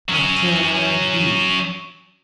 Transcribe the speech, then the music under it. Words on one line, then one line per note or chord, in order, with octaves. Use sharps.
"After you!"
F#3 C#4